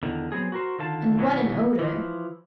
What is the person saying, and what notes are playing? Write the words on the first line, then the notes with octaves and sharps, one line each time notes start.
And what an odour!
E2 D3 D#3
F#3 B3 C4 G#4
F#4 A#4 C5
D3 D#3 F4 A5
B2 D#3 E3 F#3 A3 B3
E3 F3